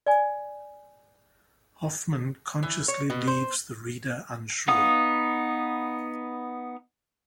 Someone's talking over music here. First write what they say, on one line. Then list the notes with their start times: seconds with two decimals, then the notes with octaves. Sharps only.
Hoffman consciously leaves the reader unsure.
0.06 D5 G#5
2.63 E3
2.88 C#5
3.10 B2
3.27 C5
4.68 B3 D#4 F5 F#5 D#6